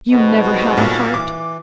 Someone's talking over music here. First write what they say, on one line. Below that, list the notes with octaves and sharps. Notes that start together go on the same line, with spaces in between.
You never had a heart.
F2 G#2 B2
G3 F#4
B1 A#2
E3 D6